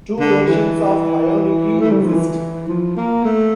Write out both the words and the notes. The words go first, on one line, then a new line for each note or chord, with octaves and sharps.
Two versions of "hayanuki" exist.
D3
E3
A3
G3
F3
E3
F3
A#3
A3